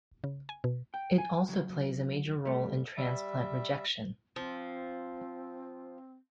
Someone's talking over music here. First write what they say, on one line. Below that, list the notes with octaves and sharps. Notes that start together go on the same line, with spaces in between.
It also plays a major role in transplant rejection.
C#3
G#5
B2
G5
G#5
C#2 F#3
G3 A3
G3 E5
F3 C4